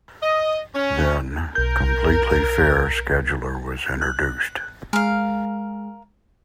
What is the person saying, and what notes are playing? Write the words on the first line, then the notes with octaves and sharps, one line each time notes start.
Then, Completely Fair Scheduler was introduced.
D#5
C#4
B1 A#4 G6
F#6
G#3 A#4 F5